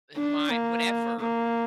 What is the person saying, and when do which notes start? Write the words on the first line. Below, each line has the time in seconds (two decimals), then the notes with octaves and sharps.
uh, my" whatever.
0.16 D4
0.50 A#3
1.19 A#3